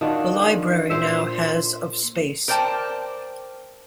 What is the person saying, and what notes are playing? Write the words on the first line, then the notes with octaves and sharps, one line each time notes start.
The library now has of space.
D#3 D4 F4 F#4
A#2 C5 E5
A#4 C5 D5 G5 A5